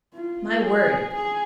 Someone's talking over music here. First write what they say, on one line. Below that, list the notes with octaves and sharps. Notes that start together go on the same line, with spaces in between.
My word!
F4
G#4
G#4